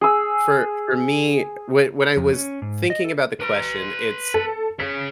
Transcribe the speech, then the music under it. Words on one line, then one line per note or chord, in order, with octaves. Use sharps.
for for me, when when I was thinking about the question, it's
G#4 E6
F2
C#4
G#2
D#5
A4
B4 A#5
A4
G#4 C#5 B6